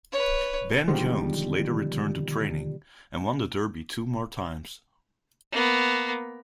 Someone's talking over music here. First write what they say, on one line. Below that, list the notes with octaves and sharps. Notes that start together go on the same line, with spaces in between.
Ben Jones later returned to training and won the Derby two more times.
B4 C#5
B2 D3 D#3 F3 G3 G#3
A#3 B3